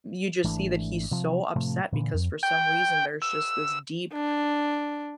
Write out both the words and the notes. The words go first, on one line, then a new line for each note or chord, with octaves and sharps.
you just see that he's so upset because for some reason, there's just this deep
G#1 E3 A3 D4
C3 F3
A2 C3 F3 A3
A#2 D3 E3
F2
G5
E6
D4